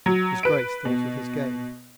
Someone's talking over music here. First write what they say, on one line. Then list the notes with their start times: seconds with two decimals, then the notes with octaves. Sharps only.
His Grace thought of his game.
0.06 F#3
0.43 B4 D7
0.85 B2